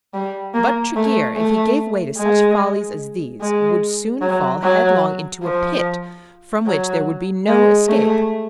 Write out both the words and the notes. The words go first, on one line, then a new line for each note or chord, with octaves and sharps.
But Tregear, if he gave way to such follies as these, would soon fall headlong into a pit from which there would be no escape.
G3
A#3
A3
A3
G#3
G#3
F#3
F#3
F3
F#3
G#3
A3